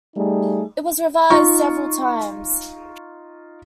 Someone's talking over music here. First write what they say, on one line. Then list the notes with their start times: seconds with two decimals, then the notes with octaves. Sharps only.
It was revised several times.
0.16 G3 A3 D#4 G#4
1.30 D#4 F4 C#6